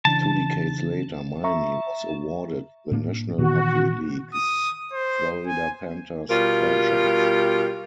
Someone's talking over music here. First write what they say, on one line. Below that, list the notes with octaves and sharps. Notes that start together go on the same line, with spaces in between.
Two decades later, Miami was awarded the National Hockey League's Florida Panthers franchise.
C#3 E3 D4 A5
E5 A#5 C#6
A2 A#3 D4
A#2 D#3 E3 B3 F#4
D#6
C5
G#5
B2 G3 F4 G4 A#4